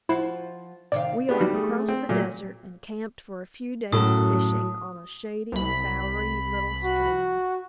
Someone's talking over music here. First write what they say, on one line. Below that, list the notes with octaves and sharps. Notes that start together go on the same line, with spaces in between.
We are across the desert, and camped for a few days' fishing on a shady, bowery little stream.
F3 E4 F#4 C5
C3 D#3 D5 F5
B3 D4 G4
G3 D#4 F#4
A3 G#4
C4
A#2 F#3 A3
F#2 A2 F#3 A4 D#6
C2 B5
F#4